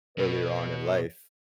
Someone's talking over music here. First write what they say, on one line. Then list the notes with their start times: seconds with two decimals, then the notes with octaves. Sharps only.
earlier on in life.
0.18 B2 B3